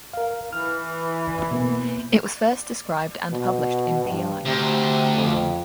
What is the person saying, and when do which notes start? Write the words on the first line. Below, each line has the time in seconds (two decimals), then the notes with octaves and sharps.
It was first described and published in Pl.
0.13 A#4 F5
0.53 E3 F6
1.51 B2 A#3 B3
3.32 B2
4.05 G2
4.45 D2 C3
5.16 F2